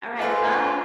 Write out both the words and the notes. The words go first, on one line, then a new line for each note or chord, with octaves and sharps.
Alright, bye.
A3 F4 B4 C5 D5 G#5